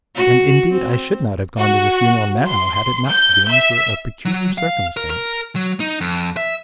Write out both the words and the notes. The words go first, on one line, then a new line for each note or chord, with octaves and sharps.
And indeed I should not have gone to the funeral now had it not been for a peculiar circumstance.
F#4
C4
F#4
C6
G6
E5
F#3
F5
A#4
A#4
F#3
D#4
F2
E5